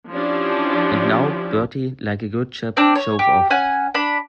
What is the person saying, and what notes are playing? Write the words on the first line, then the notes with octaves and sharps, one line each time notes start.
And now, Bertie, like a good chap, shove off.
F3 C#4 D4 E4 G4
C4 D4
C#5
G4
C#4 F#5 G#5
D4 B5